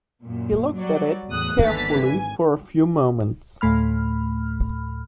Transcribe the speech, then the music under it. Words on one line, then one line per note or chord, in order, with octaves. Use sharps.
He looked at it carefully for a few moments.
F#2 A#2
F#3 G3 D5
E2 A2 D#6 F#6
G1 D#2 D3 E3 A6 B6
G#1 G#5
D2 A2 A3 B5 F6